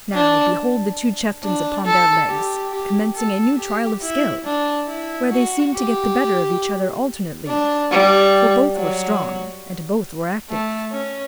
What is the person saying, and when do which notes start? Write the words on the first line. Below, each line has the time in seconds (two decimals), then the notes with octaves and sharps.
Now, behold the two Chieftains upon their Legs, commencing a new Trial of Skill! where they seem'd to get the better of each other alternately; for both were strong, and both were active.
0.14 D4
1.44 D4
1.86 A4
2.29 G4
2.72 G4
3.15 A4
3.58 G4
4.02 E4
4.45 D4
4.88 E4
5.31 F#4
5.75 G4
7.48 D4
7.91 G3
8.77 F#3
10.50 A3
10.93 C#4